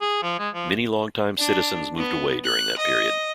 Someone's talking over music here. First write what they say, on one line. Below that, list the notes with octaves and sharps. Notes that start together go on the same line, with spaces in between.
Many long-time citizens moved away during that period.
G#4
F3
G#3
F3
D4
B3
F#6
D#5